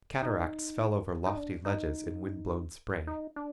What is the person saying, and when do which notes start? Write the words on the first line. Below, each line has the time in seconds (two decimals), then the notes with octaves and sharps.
Cataracts fell over lofty ledges in wind-blown spray.
0.23 D#4
1.26 D#4
1.37 D4
1.65 D#4
3.07 D#4
3.36 D4